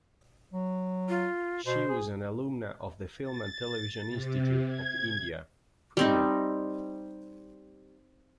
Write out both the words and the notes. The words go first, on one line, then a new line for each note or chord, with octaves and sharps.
She was an alumna of the Film and Television Institute of India, Pune.
F#3
F4
B2 C5
G#4
A6
C3
G#6
G3 C4 D#4